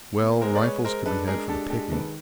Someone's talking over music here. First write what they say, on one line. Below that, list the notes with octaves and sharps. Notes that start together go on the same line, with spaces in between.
Well, rifles could be had for the picking.
B3
G#3 A#4 C5
D5
G#3 B4 C#5
G#3 A#4 C5
D4 A4 B4
G#3 G#4 A#4
D4 G4 A4
G#3 G4 A4
D#3 A4 B4